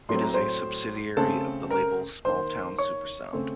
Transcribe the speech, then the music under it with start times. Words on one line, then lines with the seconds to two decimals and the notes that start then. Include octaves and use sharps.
It is a subsidiary of the label Smalltown Supersound.
0.09 A2 F#3 A3 C4 C6
0.21 A#5
0.34 C5 C6
1.17 C#3 A3 C4 A4 A5
1.71 A#4 A#5
2.25 D#3 A#3 C5 C6
2.78 C#5 C#6
3.33 C#3 A3 C4